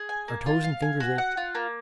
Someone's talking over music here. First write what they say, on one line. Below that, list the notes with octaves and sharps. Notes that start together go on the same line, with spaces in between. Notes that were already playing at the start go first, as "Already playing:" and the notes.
Our toes and fingers ached.
Already playing: G#4
G#5
A#3
F4
F5
G#5
F#4
F#5
F4
A#3